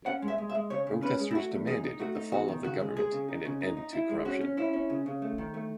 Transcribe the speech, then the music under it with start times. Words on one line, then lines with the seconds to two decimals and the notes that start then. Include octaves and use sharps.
Protesters demanded the fall of the government and an end to corruption.
0.06 C#4 F#5
0.22 G#3
0.28 E5
0.38 G#3
0.49 E5
0.55 G#3
0.70 C#3 C#5
0.87 C#3
1.02 C#4 B4
1.19 G#3
1.31 E4
1.35 A3 F#4
1.51 E2
1.67 D#4 G#4
1.84 D#4
1.99 A3 F#4
2.15 D#4
2.31 E2 F#4
2.48 D#3
2.64 C#3 F#4
2.80 G#3
2.96 G#3 G#4
3.12 C#3
3.28 D#4
3.45 C#3
3.61 D#4
3.77 D#4
3.93 E4
4.10 G#3
4.25 C#4 F#4
4.41 C#4
4.57 C#4 E4
4.73 C#4
4.90 C#3
5.06 C#3
5.22 A3
5.38 D#3
5.54 A3